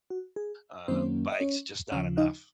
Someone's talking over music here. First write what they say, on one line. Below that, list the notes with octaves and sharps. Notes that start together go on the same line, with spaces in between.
uh, bikes just not enough.
F#4
G#4
F#2 D#3 F#3 A#3 C4 C#4 C5
D#5
C#4 C#5
D#2 C#3 F3 C#4 C#5
D#4 D#5